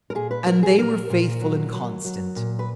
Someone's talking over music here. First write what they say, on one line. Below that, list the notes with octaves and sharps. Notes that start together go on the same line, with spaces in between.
And they were faithful and constant.
A#4
A#2 G#4
B4
F#3 A#4
G#4
A#2 A#4
A#2
F#3
F#3
F#3
A#2
B4